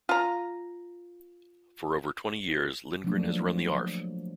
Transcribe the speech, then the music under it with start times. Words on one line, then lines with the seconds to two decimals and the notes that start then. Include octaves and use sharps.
For over twenty years, Lindgren has run the Arf!
0.09 F4 A#5
3.04 F3 F#3 A3 A#3 D4